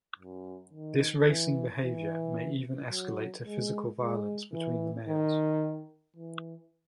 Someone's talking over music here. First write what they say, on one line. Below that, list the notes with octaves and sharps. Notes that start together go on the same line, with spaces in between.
This racing behavior may even escalate to physical violence between the males.
F#2
D#3
E3
E3
F#3
G#3
G#3
E3
D#3
E3